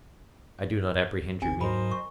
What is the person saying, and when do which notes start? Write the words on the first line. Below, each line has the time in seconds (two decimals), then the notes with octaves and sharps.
I do not apprehend your meaning.
1.42 G#1 C3 D#3 G#5
1.61 G#2 F#3 A#4 C5 D#5 B5
1.91 C#6